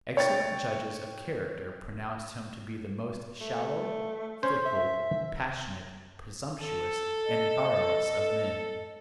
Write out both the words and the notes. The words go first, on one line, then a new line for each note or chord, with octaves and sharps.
Excellent judges of character pronounced him to be the most shallow, fickle, passionate, presumptuous, and garrulous of men.
C#5 G5 A6
A3
C#4 C5
E5
A4
D#5